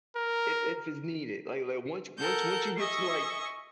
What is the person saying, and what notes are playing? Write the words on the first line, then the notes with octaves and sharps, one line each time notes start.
if if it's needed, like like, once once once you get to, like,
A#4
A4 A#4 F#5 G6
D#5 E5 G#5 C#6